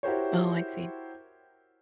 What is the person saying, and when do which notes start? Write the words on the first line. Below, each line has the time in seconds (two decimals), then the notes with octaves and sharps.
Oh, I see.
0.03 E4 F#4 G4 A#4 C5 C#5